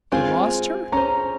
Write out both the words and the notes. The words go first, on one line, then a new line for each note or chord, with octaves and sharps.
"They lost her?"
G#3 C4 F4 G#4 C5 G#5
C#4 G#4 C5 A#5